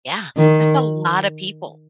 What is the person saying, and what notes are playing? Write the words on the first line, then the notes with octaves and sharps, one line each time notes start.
Yeah, that's a lot of people.
D#3